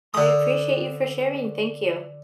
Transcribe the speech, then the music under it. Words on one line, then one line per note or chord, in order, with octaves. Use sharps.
I appreciate you for sharing, thank you.
D3 D#6